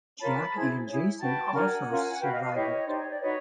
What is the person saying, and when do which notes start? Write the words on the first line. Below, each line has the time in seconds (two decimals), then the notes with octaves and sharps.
Jack and Jason also survive it.
0.20 F4 A#4 C#5 A5 B5
0.53 E4 G#4 C5
0.87 E4 G#4 C#5
1.19 F#4 B4 G5 A5
1.53 D4 F#4 A#4 F#5 G#5
1.87 C#4 F4 A#4
2.20 F#4 B4 F5 G5
2.31 D#5 F5
2.42 D#5 F5
2.53 E4 G4 B4 C#5 D#5
2.86 D#4 G4 C5 D5
2.98 C#5
3.09 D5
3.19 D#4 F#4 B4 C#5 D#5